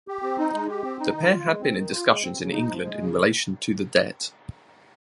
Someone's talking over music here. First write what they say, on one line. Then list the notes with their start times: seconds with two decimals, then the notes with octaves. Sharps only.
The pair had been in discussions in England in relation to the debt.
0.08 G4
0.22 C4
0.39 D#4
0.54 G#3
0.69 G4
0.84 C4
1.00 D#4
1.15 D#3
1.30 F4
1.45 G#3
1.61 C4
1.77 D#3
1.92 F4
2.06 G#3
2.22 C4
2.37 C#3
2.52 D#4
2.68 F3
2.84 G#3
2.99 C#3